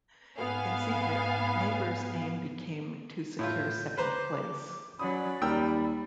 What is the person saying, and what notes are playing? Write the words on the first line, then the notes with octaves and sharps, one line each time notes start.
In secret, Labour's aim became to secure second place.
G#2 B3 F5 G#5
A2 E4 F4 G6
B4 C5 A#5 D6
F#3 C#4 D5 B5 D#6
D#2 G3 A#4 G5 E6